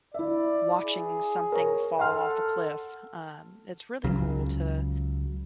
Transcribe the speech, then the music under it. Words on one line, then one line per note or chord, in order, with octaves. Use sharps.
watching something fall off a cliff, um, it's really cool to
E4 D5 E5
G#4
A#4 C#5 A#5
A4 F#5 C6 F6
C#2 C#3 F#3